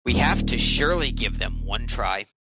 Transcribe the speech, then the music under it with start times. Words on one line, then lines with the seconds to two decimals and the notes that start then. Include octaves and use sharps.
We have to surely give them one try.
0.08 D#1 C4